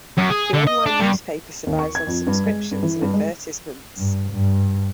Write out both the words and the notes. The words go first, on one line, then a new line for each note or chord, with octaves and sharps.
The online newspaper survives on subscriptions and advertisements.
F#2
G#4
D3
D#5
D4
G2
D#2
C#6
G#6
F2
G2
G#3
G2
E3
G2
G#3
G2
G2